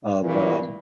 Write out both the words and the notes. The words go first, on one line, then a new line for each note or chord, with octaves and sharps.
of, um,
G2 A#2 E3